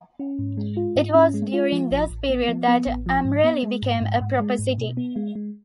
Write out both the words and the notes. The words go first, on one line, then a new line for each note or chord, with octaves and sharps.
It was during this period that Amreli became a proper city.
C#4
G#2
G#3
F4
G#2
C#4
G#3
F4
F3
A1
A1
B3
F3
B3
A1
F3
G#2
B3
G#3
G#2
G#2
G#2
G#3
G#2
B2
B3
G#3
G#3